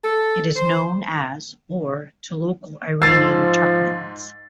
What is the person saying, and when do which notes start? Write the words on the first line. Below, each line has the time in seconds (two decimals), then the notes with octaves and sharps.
It is known as or to local Iranian Turkmens.
0.03 A4
0.56 C5
3.02 G#2 F3 E6 G#6 A6 C7